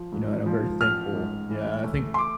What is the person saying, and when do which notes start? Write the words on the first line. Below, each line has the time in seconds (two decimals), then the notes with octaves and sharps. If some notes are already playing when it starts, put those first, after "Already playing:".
you know, and I'm very thankful. Yeah. I think
Already playing: F3
0.12 G#2
0.46 F3
0.80 A1 F6
1.15 G#2
1.50 E3
1.84 A3
2.14 C6
2.18 D6